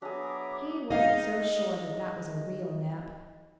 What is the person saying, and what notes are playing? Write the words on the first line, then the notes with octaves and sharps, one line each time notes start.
He wasn't so sure that that was a real nap.
F#3 B3 D4 G#4 E5 A#5 D6
G#3 D#4 D#5 F5